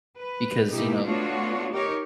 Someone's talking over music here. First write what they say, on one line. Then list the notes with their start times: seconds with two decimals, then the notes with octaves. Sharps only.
Because, you know,
0.17 B4
0.71 B2 A3 A#3 D#4 E4 G4
1.03 A3 B3 D4 F4 F#4 C#5
1.73 D#4 G4 A#4 C#5